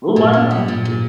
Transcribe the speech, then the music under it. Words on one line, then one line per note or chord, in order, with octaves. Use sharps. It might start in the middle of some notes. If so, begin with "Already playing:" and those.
who am I to knock your choice?
A#2
A#2
G3
A#2
A#2